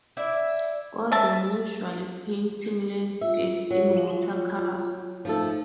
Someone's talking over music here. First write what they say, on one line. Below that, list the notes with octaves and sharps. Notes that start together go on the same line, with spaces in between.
Gordon usually painting landscapes in watercolours.
E4 D5 E5
E5 A5
F4 E5
F#3
F3 A3 D#4 A4